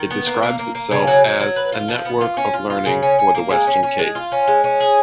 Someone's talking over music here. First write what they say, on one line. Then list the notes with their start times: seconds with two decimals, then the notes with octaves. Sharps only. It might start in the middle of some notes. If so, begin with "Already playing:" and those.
It describes itself as "A Network of Learning for the Western Cape".
Already playing: D#3
0.10 B3
0.26 A#3
0.43 A#3
0.59 A#3
0.75 A#3
0.91 C#3
1.07 F#3
1.24 F#3
1.40 F#3
1.56 B4
1.72 F4
1.88 F3
2.05 B3
2.21 F4
2.37 C#4
2.54 F4
2.70 F4
2.86 C#3
3.02 C#4
3.19 C#4
3.35 A#3
3.51 G#3
3.67 C#4
3.83 C#4
3.99 G#3
4.15 F4
4.32 C#4
4.48 G#3
4.64 C#4
4.80 G#4